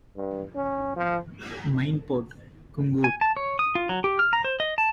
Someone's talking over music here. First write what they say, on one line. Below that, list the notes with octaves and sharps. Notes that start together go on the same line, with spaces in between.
Main port: Kungur.
G2
C#4
F3
G#5
A5
C#5
D#6
F4
F#3
G4
F6
A#5
C5
D#5
A5